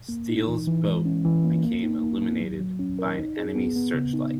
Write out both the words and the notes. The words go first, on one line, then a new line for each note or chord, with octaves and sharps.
Steele's boat became illuminated by an enemy searchlight.
A#3
D#4
E3
E3
G#3
C#4
E3
A#3
A#3
D#4
A#3
A#3
F#3
F#3
C#4
A#4
D#4
G#4
B3
B3
C#3
D#4